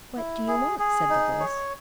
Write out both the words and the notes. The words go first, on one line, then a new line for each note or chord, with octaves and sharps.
"What do you want?" said the voice.
E4
G#4
G#4
D#4
C#5